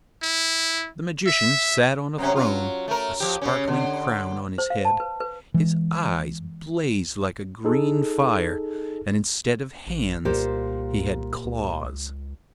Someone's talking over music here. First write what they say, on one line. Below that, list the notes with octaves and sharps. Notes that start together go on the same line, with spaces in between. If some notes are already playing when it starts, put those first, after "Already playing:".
The Magician sat on a throne, a sparkling crown on his head; his eyes blazed like a green fire, and instead of hands he had claws.
E4
E5
F#2 C3 C#4
F#3 F4
A3 A#4
F3 G4
C#3 C#4
D3
C5
F5
A5
B4
B4
E3 G#3
D#4 G#4 A4
A1
C2 A#2 G4 C5
C#2